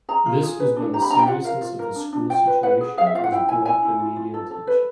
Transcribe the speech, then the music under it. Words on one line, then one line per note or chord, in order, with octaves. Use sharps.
This was when the seriousness of the schools situation was brought the media attention.
G#4 A#5
F4
G#4
B4
D4
G4 A#5
B5
D4 A#5
G5
F4 F#5
A#4 F5
F4
A#4
D4
D4
F4 G5
B4
B4 F#5
G#4
G#4 F5
E5
F4 F5
F#5
E4 G5
E4 G#5
E4 G#5
E4
F4
F4
A4
A4
B4